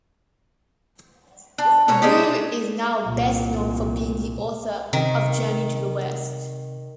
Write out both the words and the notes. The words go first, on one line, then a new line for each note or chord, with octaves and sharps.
Wu is now best known for being the author of Journey to the West.
D4
B2 C#4 C#5 A#5
G#3 D4 D#4 G4
C2 A#2
C3 D#3